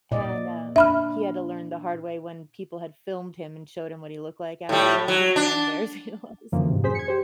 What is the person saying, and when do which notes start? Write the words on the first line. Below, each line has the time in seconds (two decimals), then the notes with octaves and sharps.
and, um, he had to learn the hard way when people had filmed him and showed him what he looked like afterwards, you know how embarrassing it was.
0.11 A#2 D5 D#5
0.76 D4 E5 B5 F6
4.69 A2 G3
5.08 F#3
5.36 D4
6.52 F#2 D3 E3 F3 A#3
6.69 G#2 C3
6.83 F#2 G#4 C5 B6
6.95 G#6 C#7
7.08 G4 C5